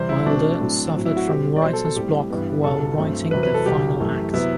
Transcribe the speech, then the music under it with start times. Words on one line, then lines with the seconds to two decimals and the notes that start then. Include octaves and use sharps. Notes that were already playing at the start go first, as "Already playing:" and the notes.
Wilder suffered from writer's block while writing the final act.
Already playing: E2 C3 G3 C5
0.09 E4
0.26 B2 A3 C4 D4
0.60 A2 F#3 A3 C4
0.94 A2 F#3 C4
1.05 E4
1.17 F#4
1.27 B2 G3 C4 G4
1.56 D5
1.62 B2 F#3 B3 C5
1.73 A4
1.85 A4
1.96 A2 G3 C4 G4
2.30 G2 E3 B3
2.64 C2 B2 G3 A4
2.98 G2 F#3 A3 C4
3.31 E2 C3 F#3 B4
3.43 B4
3.54 A4
3.66 C2 B2 F#3 G4
4.00 F#2 E3 A3
4.34 C3 F#3 B3 E4